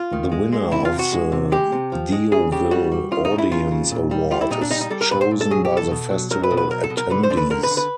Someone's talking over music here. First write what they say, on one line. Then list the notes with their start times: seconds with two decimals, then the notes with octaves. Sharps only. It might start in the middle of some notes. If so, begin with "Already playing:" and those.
The winner of the Deauville Audience Award is chosen by the festival attendees.
Already playing: F4
0.12 D#3
0.32 G#3
0.52 G#3
0.71 C3 E4
0.85 F4
0.92 C3
0.99 F#4
1.12 G#3
1.32 C3
1.52 G#3 G4
1.72 C3
1.92 F3
2.12 G#3
2.32 C#3 G#4
2.52 C#3 G4
2.71 G3 F#4
2.92 G3
3.11 C#3 F4
3.25 D#4
3.31 C#3
3.38 E4
3.51 C#3 F4
3.71 C#3
3.92 A#2
4.11 G3
4.31 G3 F4
4.41 E4
4.51 A#2 D#4
4.61 D4
4.71 G3 D#4
4.81 D#4
4.90 G3 A4
5.01 A#4
5.11 A#2 B4
5.21 C5
5.31 A#2
5.41 A4
5.51 F#3 G#4
5.65 G4
5.71 B2
5.77 A4
5.91 B2
6.10 F#3
6.31 F#3 A#4
6.43 B4
6.51 B2
6.57 B4
6.71 F#3 A#4
6.84 A4
6.90 B2
6.97 A#4
7.10 D3 B4
7.23 C5
7.30 D3
7.37 B4
7.50 D3 A#4
7.63 B4
7.71 D3
7.77 B4